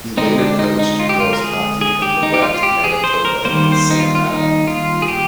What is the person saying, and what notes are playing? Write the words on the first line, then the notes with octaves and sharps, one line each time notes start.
He later coached girls' hockey in Lorette, Manitoba and Saint Adolphe.
D3 G#3 C4 D#4
D4
D#4
D#4
F4
G4
F4
A#4
G#4
G#4
G4
D#4
G4
F4
F4
G4
G#4
C5
A#4
D#3 G3 A#3 C5
C5
D#4
F4
F4
D#4
F4
G#4
G4